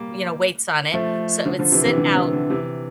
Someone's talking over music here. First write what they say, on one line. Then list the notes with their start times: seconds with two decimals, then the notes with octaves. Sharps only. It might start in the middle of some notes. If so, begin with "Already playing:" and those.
you know, weights on it so it would sit out,
Already playing: G3 A#3
0.94 F3 A3
1.46 D3 F3
1.59 D3 F3
1.72 C3 E3
1.85 C3 E3
1.98 D3
2.15 C3
2.33 D3
2.50 C3 E3